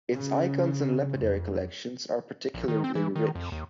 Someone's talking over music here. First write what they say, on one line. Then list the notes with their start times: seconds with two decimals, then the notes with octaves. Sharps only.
Its icons and lapidary collections are particularly rich.
0.10 C#3
1.16 F2
2.54 A#1
2.68 D#3
2.84 C4
2.95 E3
3.16 D#3
3.35 F2
3.52 D#2